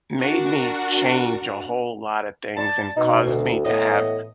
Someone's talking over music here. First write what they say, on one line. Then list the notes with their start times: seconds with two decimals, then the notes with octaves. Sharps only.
made me change a whole lotta things and causes me to have
0.17 D4 F#4 A#4
2.57 D5 A5
2.97 B2 D#4
3.26 D2
3.65 A2 E3 B3 D#5